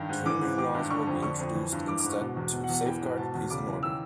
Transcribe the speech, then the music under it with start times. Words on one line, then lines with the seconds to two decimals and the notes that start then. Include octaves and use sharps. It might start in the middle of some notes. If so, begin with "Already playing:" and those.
Two new laws will be introduced instead to safeguard peace and order.
Already playing: G2 D#3
0.09 G#2
0.26 E3 D6
0.41 G#2
0.58 D#3 D6
0.74 G2
0.90 D3 C#6
1.07 F2
1.23 D3 C#6
1.39 F2
1.55 E3
1.72 G2
1.88 E3 D6
1.99 D6
2.04 G#2
2.10 C#6
2.21 B2
2.36 E2
2.53 B2
2.64 F#5
2.69 E2
2.74 F#5
2.85 E3 G5
3.01 G#2
3.17 B2 A5
3.34 E2
3.50 C#3 D6
3.67 E3
3.83 D#3 E6